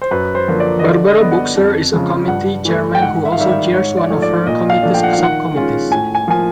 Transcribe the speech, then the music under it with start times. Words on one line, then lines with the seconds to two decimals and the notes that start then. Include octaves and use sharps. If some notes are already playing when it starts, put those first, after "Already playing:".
Barbara Boxer is a Committee chairmen who also chairs one of her committee's subcommittees.
0.02 C5
0.11 F#2 B4
0.35 C5
0.48 D3 F3 A#3
0.60 D5
0.79 D#5
0.83 D3 D5
1.07 D#5
1.20 G3 B3
1.31 F#5
1.56 F2
1.92 C#3 F3 G#3
2.28 G2 F#5
2.65 E3 A3
2.95 G5
3.02 G#2 F#5
3.25 E5
3.32 F5
3.38 D#3 G3 E5
3.49 E5
3.73 G#2 C#5
3.97 D5
4.10 F3 A3
4.22 D5
4.47 A#2 D#5
4.70 F5
4.82 F3 A3 D4
4.94 G5
5.03 F#5
5.13 F5
5.18 D#3
5.23 F#5
5.55 G#3 C#4 F4
5.90 A2 G#5
6.15 G#5
6.28 F3 A#3 G#5